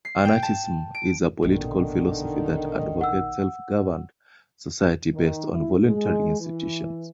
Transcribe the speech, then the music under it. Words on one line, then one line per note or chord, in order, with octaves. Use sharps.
Anarchism is a political philosophy that advocates self-governed societies based on voluntary institutions.
C7
G5
A5
D7
A#1 B2 D3 D#3
F#5 E6
D#3
E4
G#3
E3